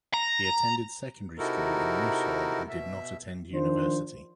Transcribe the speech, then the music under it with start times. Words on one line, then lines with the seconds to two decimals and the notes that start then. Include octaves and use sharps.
He attended secondary school in Moosehorn, and did not attend university.
0.14 A#5
1.38 C3 D#4 E4 F#4 A4 A#4
2.69 B2 E5
3.53 D#3 F3 D4 C5